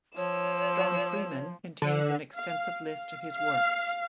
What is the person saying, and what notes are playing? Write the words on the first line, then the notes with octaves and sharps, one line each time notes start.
John Freeman contains an extensive list of his works.
F3 C#5 E6
D3
F5
F5
F5